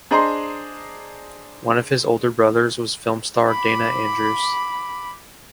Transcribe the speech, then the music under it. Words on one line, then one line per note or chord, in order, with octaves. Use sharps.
One of his older brothers was film star Dana Andrews.
D4 G#4 C5 D#5 A#5 C6
B5 D6